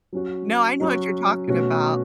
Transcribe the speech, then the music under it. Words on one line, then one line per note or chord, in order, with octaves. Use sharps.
No, I know what you're talking about.
F#3 C#4 F#4
F#3 C#4 F#4
B2 A3 C#4 F#4